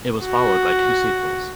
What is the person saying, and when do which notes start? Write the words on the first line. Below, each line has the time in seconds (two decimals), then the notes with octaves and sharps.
It was followed by two sequels.
0.25 F#4